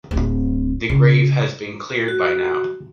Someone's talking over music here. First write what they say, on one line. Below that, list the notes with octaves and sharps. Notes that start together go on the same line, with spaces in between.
The grave has been cleared by now.
D1 C4
C#3
F#4